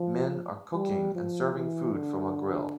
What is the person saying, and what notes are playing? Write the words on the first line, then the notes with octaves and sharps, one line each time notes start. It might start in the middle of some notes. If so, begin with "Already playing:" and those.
Men are cooking and serving food from a grill.
Already playing: F3
G3
F3
E3
D3